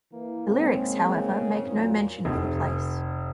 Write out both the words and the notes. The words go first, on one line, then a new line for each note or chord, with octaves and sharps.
The lyrics, however, make no mention of the place.
E3 A#3
G#2 C#3 A#3 C4
E2 A#2 F#3
F1